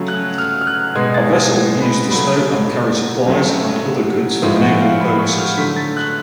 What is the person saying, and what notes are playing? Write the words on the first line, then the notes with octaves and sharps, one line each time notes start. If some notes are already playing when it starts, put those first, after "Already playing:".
A vessel used to stow and carry supplies and other goods for naval purposes.
Already playing: C#3 F#3 A3 G#6
F#6
F6
F6
F#6
B2 G#3 G#6
A6
G#6
B5
C#3 F#3 A3 B5
C#3 F#3 A3
A2 F3 G#3
F#5
F5
B5
C#6
F6
D3 F#3 A3 B6
A6
F#6